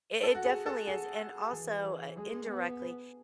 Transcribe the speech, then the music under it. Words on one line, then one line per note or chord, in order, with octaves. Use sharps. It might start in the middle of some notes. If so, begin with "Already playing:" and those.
I it definitely is, and, also, uh, indirectly,
A4
F#4
G#4
A4
G#4
E3
G#3 G#4
B3